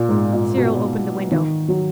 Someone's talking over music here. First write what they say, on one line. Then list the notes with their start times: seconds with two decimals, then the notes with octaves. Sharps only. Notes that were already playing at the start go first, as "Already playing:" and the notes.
Cyril opened the window.
Already playing: A#2
0.09 G#2
0.33 A#2
0.58 B2
1.32 D#3
1.68 F#3